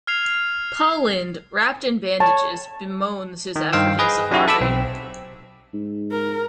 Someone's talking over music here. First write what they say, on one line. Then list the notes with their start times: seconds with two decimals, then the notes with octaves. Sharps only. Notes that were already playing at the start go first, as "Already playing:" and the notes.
Paul Lynde, wrapped in bandages, bemoans his African safari.
0.07 F6 G#6 C7 F7
2.20 C#5 A5
3.56 D#3
3.73 G2 D#3 C5 F5 G5 E6
3.99 G#4 B4 D#5
4.31 F#3 C#4 D#4 E4 F#4 G4
4.48 A4 B5 D6 E6
4.61 B1 C4
5.74 G#2
6.12 A#4